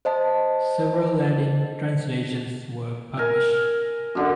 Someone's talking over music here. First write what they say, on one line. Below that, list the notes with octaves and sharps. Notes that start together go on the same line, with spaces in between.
Several Latin translations were published.
C5 D#5 A5
A#4 G#5
F#2 D3